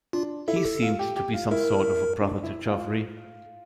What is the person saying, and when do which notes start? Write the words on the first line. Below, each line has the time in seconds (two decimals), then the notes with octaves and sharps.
He seemed to be some sort of a brother to Geoffrey.
0.13 D4 F4
0.48 E4 A4
0.56 G4
0.65 A4
0.82 F4
0.99 G4
1.16 G4
1.33 F4
1.51 E4 A#4
2.21 D4
2.43 E4
2.66 F4